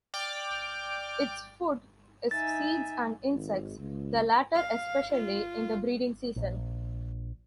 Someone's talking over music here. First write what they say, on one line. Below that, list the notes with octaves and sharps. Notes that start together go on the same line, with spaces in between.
Its food is seeds and insects, the latter especially in the breeding season.
D5 G5 D6 F6
D#4 E5 G#5 A6
G#1
C#2
F5
F4
A#1